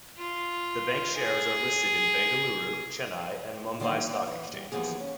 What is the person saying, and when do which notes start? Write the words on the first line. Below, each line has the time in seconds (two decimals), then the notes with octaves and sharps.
The Bank's shares are listed in Bengaluru, Chennai, and Mumbai stock exchanges.
0.18 F4
1.16 G#4
3.80 D3 D#3 F#3 A#3 D#4 C5
4.09 D5 F#5
4.27 E3
4.54 G3
4.72 D#2 E3 F3 B3 G#4
5.00 C#4